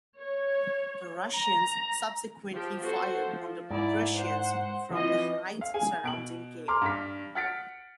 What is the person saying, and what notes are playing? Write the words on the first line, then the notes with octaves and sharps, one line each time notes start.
The Russians subsequently fired on the Prussians from the heights surrounding Kay.
C#5
A#5
F3 G4
F#4 A4 C5
F3
G#2 E4 D5
C5 F#5
E3 F3 C4 D#5
F5
G#4 G#5
B2 D7 F#7
A#5 C6 D6 F6
G2 B6
F#5 F6 A6 B6 C#7 D7